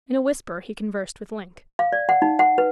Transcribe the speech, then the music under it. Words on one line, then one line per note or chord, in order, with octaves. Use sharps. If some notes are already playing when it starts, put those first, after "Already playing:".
In a whisper he conversed with Link.
F5
D5
F#5
D#4
F#5
B4